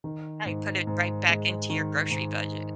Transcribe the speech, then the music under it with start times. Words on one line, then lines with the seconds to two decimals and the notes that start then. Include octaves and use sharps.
Right put it right back into your grocery budget.
0.04 D#3
0.46 G#2
0.87 G#2
1.29 G#3
1.70 D#3
2.11 G#2